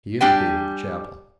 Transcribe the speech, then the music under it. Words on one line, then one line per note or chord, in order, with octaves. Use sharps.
He indicated the chapel.
G3 D4 G4 G5 G#5